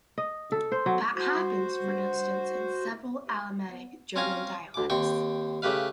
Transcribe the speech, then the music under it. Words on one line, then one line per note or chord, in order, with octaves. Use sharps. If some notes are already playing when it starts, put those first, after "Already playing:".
That happens, for instance, in several Alemannic German dialects.
D#5
A4
C5
F#3
F#4 C5
C4 C#4 F5 G#5 A#5
D2 D6
D#2 C4 G5 C#6
C#3 A3 G4 B4 F5